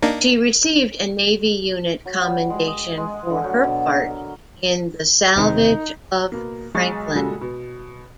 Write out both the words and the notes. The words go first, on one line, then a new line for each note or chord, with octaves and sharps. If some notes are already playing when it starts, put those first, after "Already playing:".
She received a Navy Unit Commendation for her part in the salvage of "Franklin".
A#3 D4 D#4
F#3
G3
G#3
D#5
G#3
F#5
D3
F#3
B2
A#4
A#4
E1 C3 D#3 D#4
B2 A#3
B1 G#3 D#5 C#6 D#6 A6
A#2 C#3 G3 G#3 F#4 A4
B2